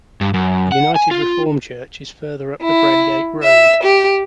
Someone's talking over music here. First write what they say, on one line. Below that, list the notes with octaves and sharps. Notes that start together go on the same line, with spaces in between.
The United Reformed Church is further up Bradgate Road.
G2
F#2
F#5
G#5
F4
E4
E5
G4